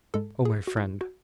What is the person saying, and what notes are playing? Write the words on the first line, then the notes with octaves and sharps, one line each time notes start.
Oh, my friend!
G#2 G#3 A4
G#4
F#4
E4
F#4